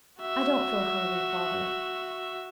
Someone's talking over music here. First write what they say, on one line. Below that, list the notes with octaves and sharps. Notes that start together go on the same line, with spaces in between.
'I don't feel hungry, father.
F#4 E5